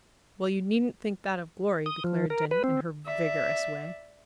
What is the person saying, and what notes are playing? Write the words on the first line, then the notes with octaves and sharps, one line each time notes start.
"Well, you needn't think that of Glory," declared Jenny in her vigorous way.
D#6
F3
A#4
B4
C4
D5 E5